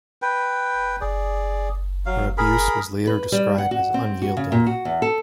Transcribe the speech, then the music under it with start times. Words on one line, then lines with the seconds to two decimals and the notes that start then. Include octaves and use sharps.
Her abuse was later described as "unyielding".
0.22 B4 G5
1.01 G#4 D5
2.06 F#3 F5
2.38 G#4 A#4 B5
3.07 B4
3.32 G3
3.58 F#5
3.71 F#4
3.94 C4
4.22 F#4
4.37 C#3
4.52 A#2
4.67 F#4
4.85 E2
5.02 A4